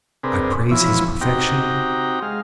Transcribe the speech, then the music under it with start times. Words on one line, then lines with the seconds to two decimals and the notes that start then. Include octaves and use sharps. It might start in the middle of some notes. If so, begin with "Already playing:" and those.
I praise his perfection.
0.23 C3 C4 D4 G#4 A#4 B4
0.71 E3 F3 B3 C#4 E4
1.21 C4 D#4 F#4 G4 G5 A#5
2.22 G#3 F5